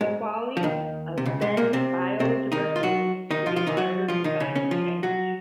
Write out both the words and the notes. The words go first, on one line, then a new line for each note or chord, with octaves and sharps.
The quality of fen biodiversity should be monitored for signs of change.
G#2 G#3
F3
D#2 D#3
C3
C#2 C#3
G#2 G#3
A#2 A#3
C3 C4
C3 C4
D#3 D#4
F4
F#3 F#4
D#3 D#4
F3 F4
F3 F4
D#3 D#4
F#3 F#4
F3 F4
D#3 D#4
C#3 C#4
C#3 C#4
F3 F4
F#3 F#4